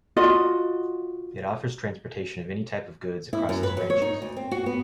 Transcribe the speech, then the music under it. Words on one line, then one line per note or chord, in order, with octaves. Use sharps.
It offers transportation of any type of goods across its branches.
F4 F#4 D#5
E4
F#2
B4
F#3
C#5
D#4
D2
C4
F#4
B3